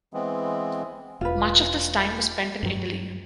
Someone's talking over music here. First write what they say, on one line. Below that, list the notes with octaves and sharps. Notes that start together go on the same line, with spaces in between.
Much of this time was spent in Italy.
E3 G#3 B3 C4
E1 F4 B4
G2 F#3